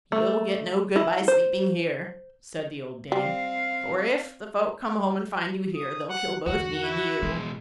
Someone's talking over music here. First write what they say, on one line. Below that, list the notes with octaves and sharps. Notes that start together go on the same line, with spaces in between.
'You'll get no good by sleeping here', said the old dame; 'for if the folk come home and find you here, they'll kill both me and you.'
A3
E4
C5
G3 C4 F5
D#6
F#5
E2 D3 F#4 F#5
E4
B2 D#3 E3 G#3